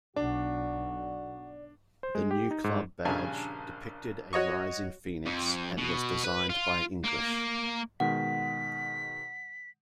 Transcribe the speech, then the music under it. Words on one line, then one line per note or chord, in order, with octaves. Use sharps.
The new club badge depicted a rising phoenix and was designed by English.
B1 D4 F#4 D5
C5
G#3
G4
D#4
G#2
A#1 G2 C#3 G#5 A5
F#4 C#5 D#5 C#6
F2
B2
B4
F4
A#3
B2 D#3 G#3 F#5 B6